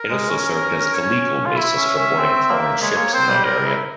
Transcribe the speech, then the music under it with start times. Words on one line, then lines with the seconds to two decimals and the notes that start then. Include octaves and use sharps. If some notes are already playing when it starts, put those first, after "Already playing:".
It also served as the legal basis for boarding foreign ships in that area.
Already playing: A#4
0.10 G#3
0.30 C#4
0.94 C#5
1.46 F4
1.56 E4 E5
1.77 C#4
1.98 C#4
2.19 C4
2.50 A#3
2.82 G#3 C#5
2.98 A#3
3.14 C4 C5
3.30 G3
3.44 G3 A#4
3.66 E4